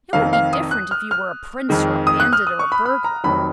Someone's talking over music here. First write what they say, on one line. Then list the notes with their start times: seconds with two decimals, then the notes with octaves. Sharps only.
It would be different if you were a prince, or a bandit, or a burglar.'
0.13 F1 F2 D#3 F5
0.33 F5
0.53 D#6
0.71 F#6
0.91 F6
1.11 F6
1.69 F2 D#3 G#3
2.07 D#6
2.20 F#6
2.33 F6
2.47 D#6
2.59 C#6
2.72 B5
2.85 B5
3.04 A#5
3.24 F1 F2 D#3 F#3 B5